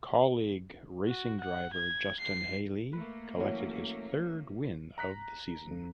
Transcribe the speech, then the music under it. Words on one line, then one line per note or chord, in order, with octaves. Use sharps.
Kaulig Racing driver Justin Haley collected his third win of the season.
F#4
F#5
G#6
C7
A3 A#3 B4
E3 F#3 C#4
A#5 F#6 B6
F2